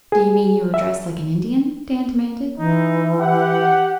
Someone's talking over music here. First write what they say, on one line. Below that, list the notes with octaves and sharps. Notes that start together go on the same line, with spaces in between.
'D'you mean you were dressed like an Indian?'Dan demanded.
G#4
E5
E3 D#4
G4 F#5